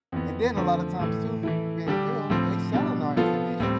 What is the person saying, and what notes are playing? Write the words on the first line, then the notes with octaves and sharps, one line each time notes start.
and then a lotta times too, being real, they selling our information
F2 E3 B3
D3 F3 A3 C4
A2 E3 A3
E3 A3 E4
D3 G3 D4 G4
A2 F3 C4
B2 G3 D4
F3 B3 F4 A4
A2 G3 C4